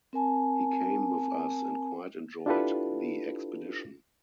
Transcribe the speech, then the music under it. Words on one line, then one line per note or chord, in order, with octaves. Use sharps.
He came with us and quite enjoyed the expedition.
C4 A#4 G#5 A5
D4 E4 F4 G4 A4 B4